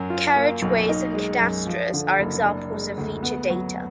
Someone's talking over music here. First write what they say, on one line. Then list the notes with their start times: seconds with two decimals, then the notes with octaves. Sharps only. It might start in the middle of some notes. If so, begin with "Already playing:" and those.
Carriageways and cadastres are examples of feature data.
Already playing: F#2 F#3
0.10 F4
0.36 A#3
0.62 B1
0.89 D#4
1.14 G#3
1.40 F#2
1.67 F3
1.93 D3
2.19 F#1
2.44 D4
2.72 G#3
2.97 D2
3.23 B3
3.50 F#3